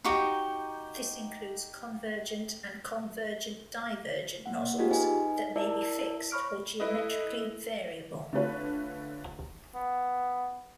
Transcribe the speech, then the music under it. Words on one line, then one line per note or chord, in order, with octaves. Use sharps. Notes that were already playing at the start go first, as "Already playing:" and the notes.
This includes convergent and convergent-divergent nozzles that may be fixed or geometrically variable.
D#4 F#4 G4
A#3 F#5
D#4 F4 G4 G#4 D#5
D#4 B4 D#5 G#5
E4 A#4 D5 E5 A5 E6
C#5 B5 C#6 F6 D7
E4 A4 B4 D#5
D3 A3 D4 F4 B4 C#5
B3